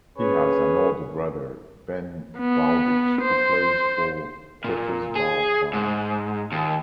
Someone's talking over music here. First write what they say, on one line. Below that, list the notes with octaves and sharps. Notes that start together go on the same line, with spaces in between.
He has an older brother, Ben Bowditch, who plays for Potters Bar Town.
C#4 G#4 B4 C#5
B3
C5
A#2
G#4
G#2
D#2